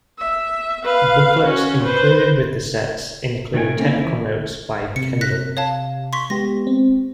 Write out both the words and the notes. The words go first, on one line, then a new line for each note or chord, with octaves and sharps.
Booklets included with the sets include Technical Notes by Kendall.
E5
B4 F5
C#4 F#4
B4 C5
C3 D#3 A3 B4 G5 G#5
A3 A#3 C4 C#4 D#4 E4
E3 E4
C3 C#7
F#6 A#6 B6
C#5 F5 A5
C6 C#6 B6
G#3 B3 G4 A#6
C4